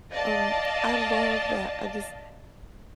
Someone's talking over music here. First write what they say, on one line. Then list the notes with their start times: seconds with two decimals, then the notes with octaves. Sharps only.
Um, I love that. I just,
0.11 D5 D#5 F5 A5